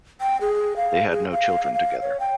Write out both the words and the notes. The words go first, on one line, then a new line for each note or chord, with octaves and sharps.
They had no children together.
G5
G#4
F5
G#4
F5
F5
C#5
G5